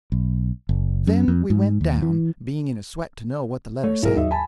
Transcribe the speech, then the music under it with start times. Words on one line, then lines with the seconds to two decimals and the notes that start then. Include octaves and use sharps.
Then we went down, being in a sweat to know what the letter said.
0.12 B1
0.69 F#1
1.07 F#2
1.28 F2
1.50 G#2
1.81 D#2
2.02 E3
3.84 A3 C#5
4.03 B1 G#2 E4 G#4 A#4
4.16 D#2 F#3 D#4 E5
4.31 G#5 A5 B5